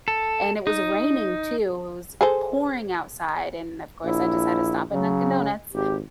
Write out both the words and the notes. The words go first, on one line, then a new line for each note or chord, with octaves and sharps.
and it was raining too, it was pouring outside, and of course, I just had to stop at Dunkin' Donuts,
A4
D#4
G#4 A4 C5
A#1 E4
C#3 F#3
G#1 G4